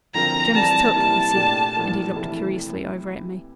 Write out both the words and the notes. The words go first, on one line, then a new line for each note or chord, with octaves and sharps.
'Jim's took,' he said, and he looked curiously over at me.
D3 F3 C4 F4 A#4 A#5
E3 G3 C4 G4 D5 A5
C3 G3 A#3 E4 A5
A#2 A3 D4 G4
A2 F3 A#3 D4
C3 E3 A3 E4